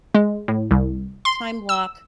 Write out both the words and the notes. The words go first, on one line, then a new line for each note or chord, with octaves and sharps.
time block,
G#3
A2
C2
C6
E6